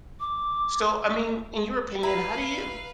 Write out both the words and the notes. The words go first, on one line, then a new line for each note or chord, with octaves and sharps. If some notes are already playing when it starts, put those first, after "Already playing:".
So, I mean, in your opinion, how do you
D6
E4 B4 F5 A#5